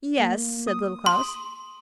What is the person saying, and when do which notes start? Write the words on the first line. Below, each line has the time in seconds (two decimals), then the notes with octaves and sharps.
'Yes,' said Little Klaus.
0.19 A#3
0.67 D#6
1.06 C6